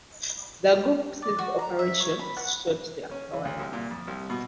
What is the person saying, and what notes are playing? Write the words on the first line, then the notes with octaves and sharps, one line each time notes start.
The group ceased operations shortly afterwards.
D5
F#4
A#5
E5
C#5
B5
F#5
C#4
E3
D2
C2
A#2
F2
C2
B2